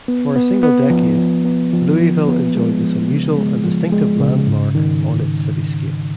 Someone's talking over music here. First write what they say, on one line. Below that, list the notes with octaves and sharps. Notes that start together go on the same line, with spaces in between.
For a single decade Louisville enjoyed this unusual and distinctive landmark on its cityscape.
B3
B3
B3
F3
F3
B3
F3
F3
B3
G#3
F3
C#3
G#3
F3
G#3
C#3
G#2
D#3